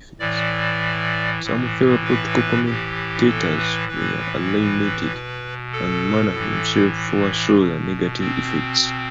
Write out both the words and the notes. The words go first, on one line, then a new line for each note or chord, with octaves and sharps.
Some fellow political commentators were alienated, and Mann himself foresaw the negative effects.
A2 E3 D5
A2 E3
B4
A2 E3 G4
A4
B4
A2 E3 B4
B2
A4
A2 E3
B2
C4
B2